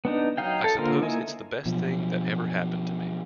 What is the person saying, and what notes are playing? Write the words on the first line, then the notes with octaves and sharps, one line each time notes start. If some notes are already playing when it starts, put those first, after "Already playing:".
I suppose it's the best thing that ever happened to me.
B3 D4 D#4
F#3 D#4 F5 G5
A4
D3 A#3 F4 A#4 C5
A#3 D#4 E4 D#5 G#5
B2 F3 F#3